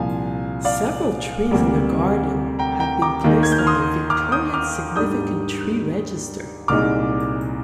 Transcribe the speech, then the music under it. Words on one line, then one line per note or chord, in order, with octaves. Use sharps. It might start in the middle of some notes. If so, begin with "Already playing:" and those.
Several trees in the garden have been placed on the Victorian Significant Tree Register.
Already playing: C2 A#2 F3 F5 G#5
D5 F5
D2 C3 G3 A#3
G5 A#5
G5 A#5
A#5 D6
D#2 D#3 A#3
G#6
G6
F6
C6 D#6
D6 F6
D#6 G6
D6 F6
G#2 G3 D4 D#6 G6
C2 A#2 G#3 D#4 D6 F6